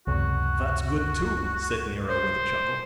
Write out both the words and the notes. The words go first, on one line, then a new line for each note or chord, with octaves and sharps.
"That's good too," said Nero, with a chuckle.
C#2 F#2 C3 F#4
C5